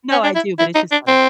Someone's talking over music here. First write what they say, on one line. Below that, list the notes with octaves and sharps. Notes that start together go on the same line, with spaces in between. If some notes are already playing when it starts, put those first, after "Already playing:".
No, I do, but it's just funny.
C#4
D4
E4
E4
D#4
D4
C4